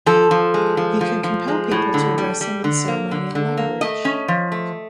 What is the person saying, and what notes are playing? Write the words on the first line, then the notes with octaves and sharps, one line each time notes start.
He can compel people to address him in ceremonial language.
F3 A4
F3
G#3
F3
F3
F3
G#3
A2
D3
G3
G3
D3
A#3
D3
D3
A#3
A3 D#5
C#4
F3
A3